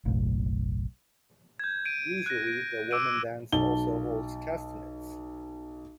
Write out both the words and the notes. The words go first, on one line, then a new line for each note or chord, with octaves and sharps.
Usually the woman dance also holds castanets.
F#1 B1 A2
G6 G#6
D7 D#7
F#6 A#6
D7
D6 E6 D7 D#7
B1 A5 G7